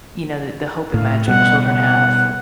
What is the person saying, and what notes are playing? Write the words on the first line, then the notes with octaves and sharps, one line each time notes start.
you know, the the hope and magic children have?
A2 F5
B2 G3 F#5
F#5